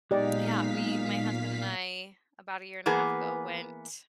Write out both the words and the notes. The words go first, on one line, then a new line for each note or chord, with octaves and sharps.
Yeah, we my husband and I, about a year and a half ago, went
B1 A#2 G#3 D#4 G4 D5 F5 B6
E3 A#3 B3 G#4